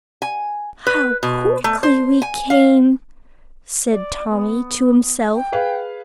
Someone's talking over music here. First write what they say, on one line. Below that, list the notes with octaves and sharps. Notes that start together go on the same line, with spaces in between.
"How quickly we came," said Tommy to himself.
G#5
B4
B2
A3
C5
G#5
F5
D5
B3
G5
G#4 B4 F5